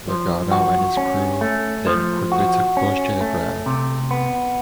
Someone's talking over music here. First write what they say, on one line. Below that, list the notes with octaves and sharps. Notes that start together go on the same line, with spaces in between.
Logano and his crew then quickly took Busch to the ground.
F3
F#4
C#4
A3
F3
F#4
C#4
A3
C3
B3